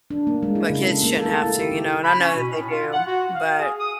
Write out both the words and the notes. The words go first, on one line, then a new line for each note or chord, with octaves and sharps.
My kids shouldn't have to, you know, and I know that they do, but
D4
A#3
G#3
E4
C#3
A4
A#3
A4
A4
E4
G4
E4
B5
C#4
B2
A2
F4
F#5
F#4
F5
G#4
D#6